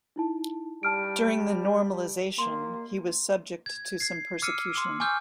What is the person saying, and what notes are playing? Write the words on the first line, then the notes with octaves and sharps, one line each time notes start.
During the Normalization he was subject to some persecution.
D#4 E4 A5
G3 A5 F6 D7
A#3 C6
G#6
G#6 C7
D6 E6 F6 C7 C#7 D#7
C6 D6
G#5 C#6 D6 E6 F6 G6